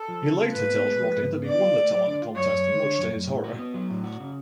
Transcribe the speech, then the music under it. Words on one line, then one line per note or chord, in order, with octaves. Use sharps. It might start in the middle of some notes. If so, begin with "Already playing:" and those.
He later tells Rodney that he won the talent contest, much to his horror.
Already playing: A4
F3
C#3
F4
G#2 B4
B3
G#3
F3
G#2
B3
D3 D5
F4
A3
F#3
D3
F4
F#2 C#5
F#2
G#3
D3
F#2
F#2
A2
F#4
B3
F#3
A2
F#4
C#3